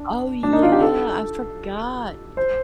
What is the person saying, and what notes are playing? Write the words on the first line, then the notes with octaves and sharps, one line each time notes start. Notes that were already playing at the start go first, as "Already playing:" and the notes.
Oh yeah, I forgot.
Already playing: D4
D4
D#4
F4
G4
A4
C5